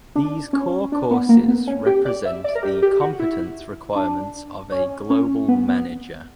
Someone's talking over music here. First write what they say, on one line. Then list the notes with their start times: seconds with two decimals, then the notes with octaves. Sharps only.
These core courses represent the competence requirements of a global manager.
0.16 D4
0.53 C#4
0.92 D4
1.11 B3
1.29 A#3
1.48 B3
1.67 C#4
1.86 G4
2.05 D5
2.25 E5
2.44 D5
2.55 A#4
2.63 G4
2.82 G4
3.01 F#4
3.19 E4
3.96 D4
4.72 C#4
5.10 C#4
5.48 B3
5.68 B3